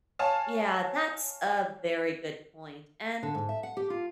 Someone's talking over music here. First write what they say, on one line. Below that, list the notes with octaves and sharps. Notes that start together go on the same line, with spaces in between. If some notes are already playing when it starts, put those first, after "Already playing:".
Yeah. That's a very good point, and
C#5 F5 G#5 A5
D3
G#2
E5
F#5
G4
F4